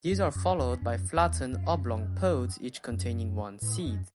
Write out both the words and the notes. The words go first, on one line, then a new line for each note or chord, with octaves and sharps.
These are followed by flattened oblong pods each containing one seed.
F#2
F#2
E2
F#2
E2
F#2
F#2
A2
F#2